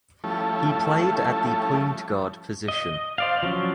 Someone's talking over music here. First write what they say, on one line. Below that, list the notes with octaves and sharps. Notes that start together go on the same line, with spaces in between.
He played at the point guard position.
F3 G3 A3 C#4 E4 A4
D#5
C5 D5 F5
F3 F#3 C#4